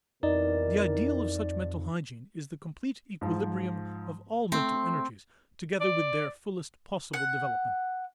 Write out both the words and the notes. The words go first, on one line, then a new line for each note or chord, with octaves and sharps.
The ideal of such mental hygiene is the complete equilibrium of all mental energies together with their fullest possible development.
F2 B2 E3 D#4 A#4 D5
G#2 F3
A3 C4
D5
F#5